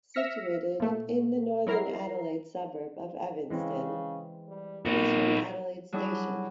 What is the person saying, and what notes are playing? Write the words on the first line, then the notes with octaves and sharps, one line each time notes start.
Situated in the northern Adelaide suburb of Evanston, it is from Adelaide station.
E5 E6 F6 A#6 B6 C#7
A#2 A3
F#3 E4 A#4 A#5 C7
C#3 E3 G#3 C4
G3
A#2 D#4 F#4 A#4
F#3 G3 D4 E4 G#4